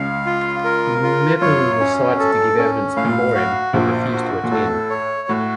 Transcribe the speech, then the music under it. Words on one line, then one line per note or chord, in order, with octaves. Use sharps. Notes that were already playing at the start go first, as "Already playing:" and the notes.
Mepeham was cited to give evidence before him, but refused to attend.
Already playing: C#2 C#3 F5
F4
A#4
F4
F#2 C#5
C#4
A4
C#4
A2 F5
A#2
A2
F#4
A#1 A#2 C5
F#4
A#2
A2 A4
C#5
A2 F#4